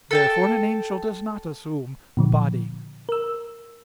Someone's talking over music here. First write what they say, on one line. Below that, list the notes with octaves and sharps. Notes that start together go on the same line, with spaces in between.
Therefore an angel does not assume a body.
A4 G5 A5
A#2 D3 F3
A#4 E6